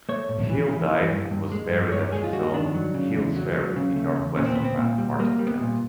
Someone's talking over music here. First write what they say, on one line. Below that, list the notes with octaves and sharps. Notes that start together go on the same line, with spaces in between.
Hill died and was buried at his home, "Hill's Ferry", in northwestern Martin County.
A3 C#5
A2
E3
E3
E3
G2
G2
G#3
G2
G2 C#5
G#3 G#4
F4
G2 F#4
D#3 D4
F#3
C#3
E2
F#3
F#3
C#3
A3
E2
A#2 C#4
C4
A#2 B3
C4
A#2
G3
G3 A#3
G3
B3
A#2